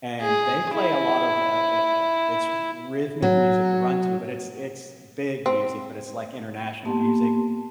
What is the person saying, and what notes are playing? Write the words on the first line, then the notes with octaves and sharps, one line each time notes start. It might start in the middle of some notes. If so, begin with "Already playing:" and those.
and they play a lot of, uh, eh, eh, eh it's rhythmic music to run to, but it's it's big music, but it's, like, international music,
G#4
E4
F#3
C4
A#3 B3 G4 A5 C6